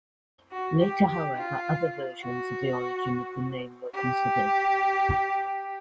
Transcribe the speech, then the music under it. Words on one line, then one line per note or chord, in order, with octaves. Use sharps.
Later, however, other versions of the origin of the name were considered.
F#4
G4
G4
F4
F#4
G4